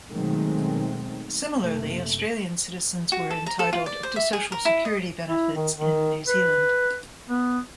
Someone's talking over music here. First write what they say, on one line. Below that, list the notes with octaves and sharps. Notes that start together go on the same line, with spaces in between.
Similarly, Australian citizens were entitled to social security benefits in New Zealand.
B2 D#3 F#3 G#3 A3 C4
F#1 C3 A3
F#4
A4
A#5
A4
F4
D5
C5
E5
G#4
A#4
E4
D#5
E4
D#3
D#3
B4
B3